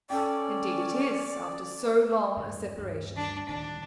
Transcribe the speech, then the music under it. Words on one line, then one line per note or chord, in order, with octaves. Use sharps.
"Indeed it is, after so long a separation."
C#4 A4 D5 G5
E2 G2
D2 G2 G3
D4
D1 D#3 G3 D4